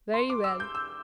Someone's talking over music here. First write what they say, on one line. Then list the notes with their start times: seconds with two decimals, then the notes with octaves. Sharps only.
'Very well.
0.14 C6
0.30 D6
0.44 E6
0.60 G6
0.75 E6